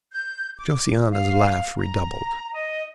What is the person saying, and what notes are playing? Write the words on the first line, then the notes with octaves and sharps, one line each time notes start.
Josiana's laugh redoubled.
G6
D6
F5
A#5
D#5